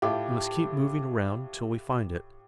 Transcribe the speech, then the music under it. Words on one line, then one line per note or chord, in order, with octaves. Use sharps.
We must keep moving around until we find it.
A2 E4 F4 G4